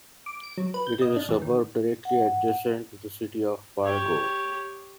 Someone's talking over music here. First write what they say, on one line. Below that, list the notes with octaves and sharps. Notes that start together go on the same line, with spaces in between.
It is a suburb directly adjacent to the city of Fargo.
D6
D7
F#3
B4
G6
D#5
D4
E2
D#3
F#5
G4 C#5